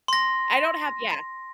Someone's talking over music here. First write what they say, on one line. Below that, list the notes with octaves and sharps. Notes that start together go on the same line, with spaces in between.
I don't have yeah.
C6 A#6